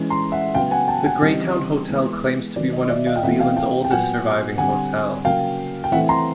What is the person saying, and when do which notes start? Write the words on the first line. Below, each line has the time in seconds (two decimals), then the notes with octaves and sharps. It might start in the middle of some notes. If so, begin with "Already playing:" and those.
The Greytown Hotel claims to be one of New Zealand's oldest surviving hotels.
Already playing: E3 G#3 C#4
0.10 A#5 C6
0.32 E5 F#5
0.54 C#3 F#3 B3 F5 G5
0.71 F#5 G#5
0.88 G5 A5
1.05 F#5 G#5
1.22 C#3 E3 G3 C4 D#5
1.89 E3 G#3 B3
2.56 D#3 F#3 B3 D5
2.73 D#5
2.90 D5 E5
3.06 D#5 F5
3.16 G5
3.23 C3 E3 A3 C4 E5 F#5
3.40 F5 G5
3.56 F5 G5
3.85 G5
3.90 A#2 F#3 B3 F#5 G#5
4.58 D3 G3 C4 F#5 G#5
5.25 C#3 F#3 A#3 C#4 F5 G5
5.84 G5
5.92 E3 A3 C4 E5 F#5
6.09 A#5 C6